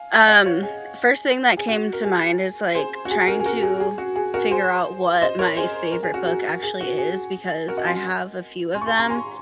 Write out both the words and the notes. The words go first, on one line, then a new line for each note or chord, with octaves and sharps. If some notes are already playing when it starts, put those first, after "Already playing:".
um, first thing that came to mind is, like, trying to figure out what my favorite book actually is because I have a few of them,
Already playing: F5 G#5
D#5 F#5
C#5 F5
G#4
G#4
F#4
A#4
G#4
G#4 C5
F#4
G#4
F#4 A#4
G#4
F#4 A#4
G#4
G#4
F#4
G#4
F#4 A#4
G#4 C5
C5 D#5
A#4 C#5
G#4 C5
A#4
G#4
F#4
G#4
G#4
F#4
G#4
F#4 A#4
D#5 F#5
G#5 C6
G#5 C6
C#6
G#5 C6
A#5 C#6
G#5 C6